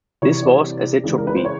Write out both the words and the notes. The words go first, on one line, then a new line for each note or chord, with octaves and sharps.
This was as it should be.
C3 E3 G3 C#5
D5
C#3 E3 G#3
A#4
B4
C5
C#5